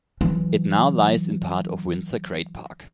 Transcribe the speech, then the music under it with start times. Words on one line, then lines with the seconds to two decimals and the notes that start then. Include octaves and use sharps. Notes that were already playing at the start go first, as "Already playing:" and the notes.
It now lies in part of Windsor Great Park.
0.21 E3 F#3